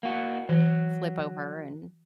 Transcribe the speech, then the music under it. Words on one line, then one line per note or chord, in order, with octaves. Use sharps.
flip over and
A#3 F#4
E3 F#3